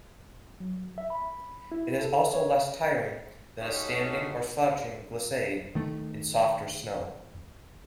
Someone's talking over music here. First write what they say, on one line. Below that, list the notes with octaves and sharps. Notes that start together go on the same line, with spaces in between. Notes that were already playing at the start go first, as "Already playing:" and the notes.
It is also less tiring than a standing or crouching glissade in softer snow.
F#3
E5
B5
E4
A4
C#5
G3 A3 C#4 D#4 F4 F#4
D#3 A3